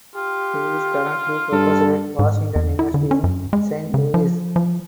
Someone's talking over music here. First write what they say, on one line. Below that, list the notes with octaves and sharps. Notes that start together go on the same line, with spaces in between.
He is currently Professor at Washington University in Saint Louis.
F4 G4
G2 A4
G#2
E2
E4
D3
C#4
F#2
G#3
C#3
F3
F3